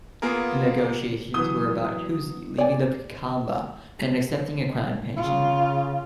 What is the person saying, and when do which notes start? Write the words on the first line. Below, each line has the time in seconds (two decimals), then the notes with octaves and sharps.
The negotiations were about Cusi leaving the Vilcabamba and accepting a Crown pension.
0.22 A#3 B3 F4 G#4 A#4
1.34 E3 F#3 B3 D#6 G7
2.58 D5 G#5
5.17 C#3 F4